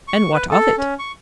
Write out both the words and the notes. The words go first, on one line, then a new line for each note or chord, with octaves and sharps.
"And what of it?"
C#6
B4
A4
C#4
C#6